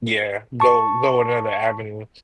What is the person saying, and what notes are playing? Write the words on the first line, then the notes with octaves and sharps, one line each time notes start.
Yeah, go go another avenue.
A5 C#6